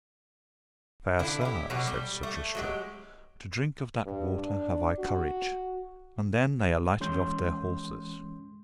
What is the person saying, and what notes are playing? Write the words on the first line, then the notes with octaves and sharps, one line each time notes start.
Fair sir, said Sir Tristram, to drink of that water have I courage; and then they alighted off their horses.
D3 F3 D4 E4
E4 G4
B2 F#3
G3
A3
F#3 G#3 G4
G2
D4
F#4
E3 G#3 C#4 C6 G6